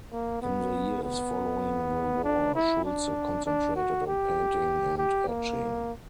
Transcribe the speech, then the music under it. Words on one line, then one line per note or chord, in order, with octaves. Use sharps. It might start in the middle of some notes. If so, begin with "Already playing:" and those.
In the years following the war, Schulze concentrated on painting and etching.
A#3
B3
B3
D4
E4
D4
D4
F#4
G4
G4
A#3